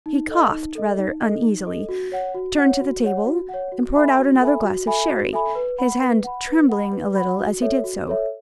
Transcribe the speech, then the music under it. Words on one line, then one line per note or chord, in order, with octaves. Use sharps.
He coughed rather uneasily; turned to the table, and poured out another glass of sherry--his hand trembling a little as he did so.
D#4
A4 D#5
D#4
A4 D#5
D#4
A4 D#5
D#4
A4 D#5
F#4
C#5 F#5
F#4
C#5 F#5
F#4
C#5 F#5
F#4
C#5 F#5
F#4
A4 E5 G#5 B5
F#4
A4 E5 G#5 B5
F#4
A4 E5 G#5 B5
F#4
A4 E5 G#5 B5
B4
F#5 B5
B4
F#5 B5
B4
F#5 B5
B4
F#5 B5
F#4
A4 C#5 E5
F#4
A4 C#5 E5